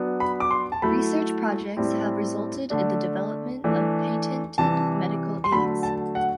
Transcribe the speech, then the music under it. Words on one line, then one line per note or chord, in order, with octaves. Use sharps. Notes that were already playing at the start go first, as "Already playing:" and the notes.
Research projects have resulted in the development of patented medical aids.
Already playing: F#3 B3 D4
B5
D6
C6
A5
F#3 A3 E4 B5
A2 G3 C4 E4
D3 A3 D4
E3 A3 D4
C3 E3 G3 A5
C6
D3 F#3 A3 B5
A5
F#5